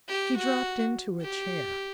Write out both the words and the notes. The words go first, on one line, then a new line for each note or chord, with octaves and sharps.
She dropped into a chair.
G4
F#4
G4